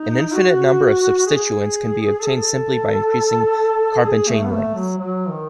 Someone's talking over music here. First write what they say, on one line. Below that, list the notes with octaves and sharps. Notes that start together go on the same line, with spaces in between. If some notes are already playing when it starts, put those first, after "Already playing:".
An infinite number of substituents can be obtained simply by increasing carbon chain length.
Already playing: D#4
F#4
G#4
A4
G#4
A4
G#4
A3
B3
A3
F#3
F#3
D#3